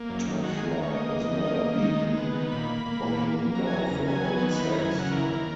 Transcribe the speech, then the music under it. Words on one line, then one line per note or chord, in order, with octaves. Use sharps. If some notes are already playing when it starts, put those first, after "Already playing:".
Top Flight was never beaten by a member of her own sex.
Already playing: A#3
F#2
D#3
G#3 F#4
G#4
D#2
A#4
D#3 C#5
A#3 D#5
E2
D#3
A#3
D#2
D#3
G#3
B3
D#3
A#2 B5
A#3
A#3
A#2
A#3
A#3
F#3 A#5
G#5
E2
A#5
C#3
F#3 G#5
B3
D#3
E3 B5
F#2 A#5
G#5
C#3 F#5
E3 A#4
D#2